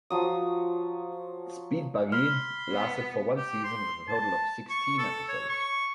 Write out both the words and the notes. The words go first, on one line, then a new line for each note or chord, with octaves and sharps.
"Speed Buggy" lasted for one season with a total of sixteen episodes.
F3 F#3 D#6
B5 C6 F6
B3
G4
C6
A5
C#6
A4
C#5
C#6